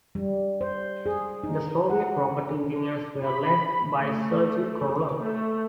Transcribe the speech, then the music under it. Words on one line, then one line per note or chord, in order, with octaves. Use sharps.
The Soviet rocket engineers were led by Sergei Korolev.
G3
C5
G#4
D#4
F#5
B5
A3
A3